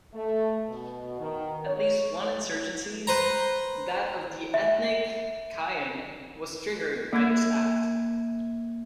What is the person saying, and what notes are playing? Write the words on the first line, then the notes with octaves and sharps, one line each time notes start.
At least one insurgency, that of the ethnic Kayan, was triggered by this act.
A3
B2
D#3
C#5
B4 C5 A#5
E5
A#3 G#6